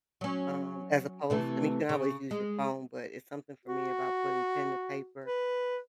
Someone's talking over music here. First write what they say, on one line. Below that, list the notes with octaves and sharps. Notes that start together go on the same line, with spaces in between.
um, as opposed I mean, you can always use your phone, but it's something for me about putting pen to paper,
F#3 C#4
C3 E3 A3
C#3
G#3
F#4
B4